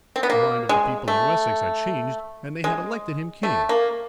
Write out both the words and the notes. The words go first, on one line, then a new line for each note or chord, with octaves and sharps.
The mind of the people in Wessex had changed and they had elected him king.
C4
B3
A#3
G#3
A3
G#3
A3
A#3